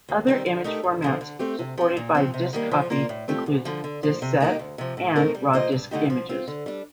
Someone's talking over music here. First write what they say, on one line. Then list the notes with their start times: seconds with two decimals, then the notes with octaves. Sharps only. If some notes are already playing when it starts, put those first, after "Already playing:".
Other image formats supported by Disk Copy include DiskSet and raw disk images.
0.09 D#2
0.27 D#3 G3 C4
0.46 D3
0.64 A3 D#4 G4 A#4
0.83 G2
1.02 D3 F3 C4
1.21 D3
1.39 A3 C4 G4
1.59 C3
1.78 F3 C4
1.97 A#2
2.15 F3 C4
2.34 C3
2.53 D#3 G3 A#3
2.71 F3
2.90 A#3 F4 A#4 D5
3.09 A2
3.28 F3 A3 C4 G4
3.46 D2
3.65 D3 F3
3.84 D3
4.03 F3 A#3
4.22 C3
4.40 D#3 A#3 D#4 G4
4.59 D2
4.78 C3 F3
4.97 A2
5.16 A3 C4 D#4 A#4
5.35 G3
5.53 A#3 F4 C5 D#5
5.72 G2
5.91 D3 A3 D#4 G4
6.10 F3
6.29 C4 F4
6.48 D3
6.66 G3 D4